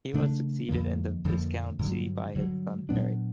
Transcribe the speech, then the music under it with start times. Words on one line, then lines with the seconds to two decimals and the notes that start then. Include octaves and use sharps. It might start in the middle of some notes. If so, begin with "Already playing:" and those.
He was succeeded in the viscountcy by his son, Eric.
0.14 C#3 E3 A3 D4
0.69 F2 D3 F3 A#3
1.24 F2 D3 F3 A#3
1.79 G2 D3 F#3
2.34 G2 D3 F#3
2.89 A#2 F#3 B3 D4